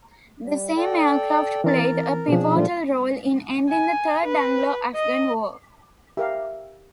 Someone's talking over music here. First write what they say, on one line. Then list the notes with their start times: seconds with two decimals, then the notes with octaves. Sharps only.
The same aircraft played a pivotal role in ending the Third Anglo-Afghan War.
0.44 G3
0.77 A4 D5 G5
1.64 E3 C4 A#4 A6
2.28 B2 F3 D4 G#4
2.55 A#2 F3 G3 A3 D4 F4
3.69 G#5
4.25 B4
4.95 D#5
6.17 G4 A#4 E5 F5